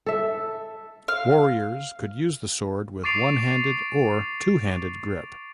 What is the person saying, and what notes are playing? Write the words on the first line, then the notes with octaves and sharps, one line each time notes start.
Warriors could use the sword with a one-handed or two-handed grip.
A4 E5
F5
C#6 D6 A6 C7 D7 F7